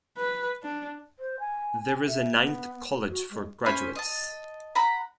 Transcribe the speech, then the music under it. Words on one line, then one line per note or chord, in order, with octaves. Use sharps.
There is a ninth college for graduates.
B4
D4
C5
G#5
E5
B3
F#4
G#3
C#4 C5 G#5 B5
D#5 A5
F#5 A#5 B5